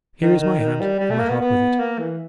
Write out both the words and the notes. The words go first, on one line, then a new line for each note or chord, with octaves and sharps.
Here is my hand, and my heart with it.
D#3
D#3
D#3
G3
G3
A3
A#3
B3
B3
A#3
E3